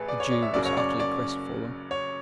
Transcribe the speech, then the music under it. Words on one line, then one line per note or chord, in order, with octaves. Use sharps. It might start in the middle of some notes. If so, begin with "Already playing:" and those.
The Jew was utterly crestfallen.
Already playing: A1 A2 G#4 B4
D5
C#5
D5
E5
F#1 F#2 C#3 F#3 D5
C#5
D5
D5
C#5